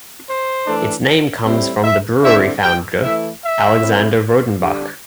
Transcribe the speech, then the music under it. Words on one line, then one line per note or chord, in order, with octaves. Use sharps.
Its name comes from the brewery founder, Alexandre Rodenbach.
C5
E3 A3 D4
A2 G3 C4 E4
E5
D3 C4 E4 E5
G5
E3 A3 E4 E5
E5
A2 A3 C4 E4
D3 G3 D4